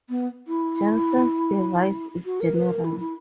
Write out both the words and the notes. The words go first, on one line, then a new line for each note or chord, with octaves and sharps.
Jensen's device is general.
B3
E4
F#4
A#4
B4
A#4
E4
E4